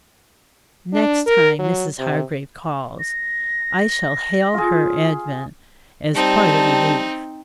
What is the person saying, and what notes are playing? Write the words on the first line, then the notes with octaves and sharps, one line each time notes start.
Next time Mrs. Hargrave calls I shall hail her advent as quite a relief.
D4
A#4
F#3
C3
A#6
F4 G#4
G3 C4 D#4 A5